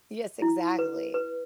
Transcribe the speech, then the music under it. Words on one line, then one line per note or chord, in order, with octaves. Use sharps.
Yes, exactly.
E4
B4
B4